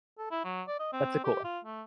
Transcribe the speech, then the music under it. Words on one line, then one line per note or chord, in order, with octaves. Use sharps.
That's a cool one.
A4
E4
F#3
D5
D#5
C4
G4
F4
A3